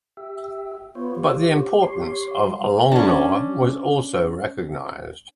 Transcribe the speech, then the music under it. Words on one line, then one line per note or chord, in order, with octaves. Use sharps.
But the importance of Longnor was also recognised.
G4 E5
B3 F4 C5 C#5
G4
C#5 C6
G3
C#4 D4